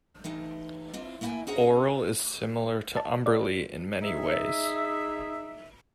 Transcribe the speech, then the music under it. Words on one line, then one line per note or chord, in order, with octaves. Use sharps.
Auril is similar to Umberlee in many ways.
E3 A3 D#4 G4
C4 F4
A3 A#3 E4 F5 G5 G#5
C#4 F#4 G#4 C5 F#5 A#5
A5
D5
D#4 G#4 E5